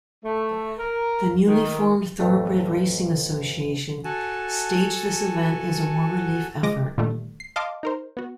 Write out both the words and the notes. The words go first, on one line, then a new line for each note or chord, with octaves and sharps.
The newly formed Thoroughbred Racing Association staged this event as a war-relief effort.
A3
A#4
D#3
A1 F2 A3
F#4 A4 F#5 G#5 A5
F3 G#3 D#5 D6 A#6
A#2 D3 D#3 G3 A3
C7
D#5 F5 A5 C6 D6
D#4 A#4 C5
B3 F#4